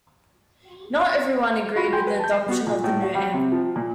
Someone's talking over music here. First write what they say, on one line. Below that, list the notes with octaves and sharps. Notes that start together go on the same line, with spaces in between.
Not everyone agreed with the adoption of the new anthem.
F4 F#4 B5 A#6
G5 G#5 B5 C6 G6
B4
A5 G6
C7
G3 B3 F#4
A#2
A2
F#4
G3
C3
F3
A#2